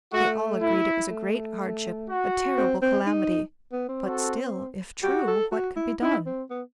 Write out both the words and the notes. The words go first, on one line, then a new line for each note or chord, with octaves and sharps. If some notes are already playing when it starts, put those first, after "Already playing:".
They all agreed it was a great hardship,--a terrible calamity; but still, if true, what could be done?
A3 F#4
E4
A3
F#4
C4
C4
D#4
B3
C4
F#4 A4
F#4 G4
A4
F#4
E4
D#4 E4
C4
B3